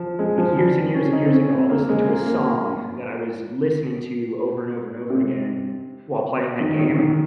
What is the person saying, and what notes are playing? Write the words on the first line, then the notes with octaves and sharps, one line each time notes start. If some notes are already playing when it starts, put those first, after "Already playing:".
like, uh, years and years and years ago, I'll listen to a song that I was listening to over and over and over again while playing that game,
Already playing: F3
G#3
F3
G3
C#4
D#4
C4
C#4
C4
A#3
G#3
A#3
A#3
A#3
C3
D#3
D#3
D#3